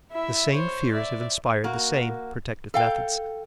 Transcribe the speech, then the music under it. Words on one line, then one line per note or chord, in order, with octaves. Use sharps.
The same fears have inspired the same protective methods.
E4 E5
C5 C#5
D5 E5
A#3 F#4
A4 F5 G5